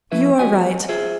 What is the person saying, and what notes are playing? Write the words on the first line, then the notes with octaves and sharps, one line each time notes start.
'You are right.
F3 C#4 E4 B4 E5
F#4 G4 D#5 G#5
F4 G#4 C5 E5